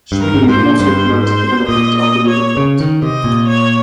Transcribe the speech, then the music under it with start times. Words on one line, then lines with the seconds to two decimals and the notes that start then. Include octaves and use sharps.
Schmied also promoted development of the riverfront.
0.12 G2
0.20 A#4
0.34 G#2
0.48 G#2 C5
0.57 A#2
0.79 G2 C5
1.09 G#2
1.24 C5
1.68 A#2 D#5
1.98 D#5
2.27 C#5
2.57 C#3
2.80 D#3
3.02 C3 D#5
3.24 A#2
3.47 C#5